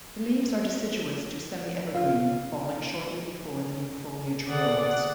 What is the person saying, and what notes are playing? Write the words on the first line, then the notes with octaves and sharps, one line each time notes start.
The leaves are deciduous to semi-evergreen, falling shortly before the new foliage grows.
F4
D3 G#4 D5 F#5